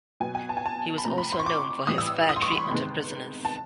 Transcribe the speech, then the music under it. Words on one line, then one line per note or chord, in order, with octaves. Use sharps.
He was also known for his fair treatment of prisoners.
B2 F#3 B3 G#5
G#5
A5
G#5
A5
B5
C3 F3 A3 C4 A#5
B5
C6
C#6
D6
A2 E3 G3 D#6
E6
D#6
C6
C#6
B5
C6
C3 D#3 G#3 B3
A5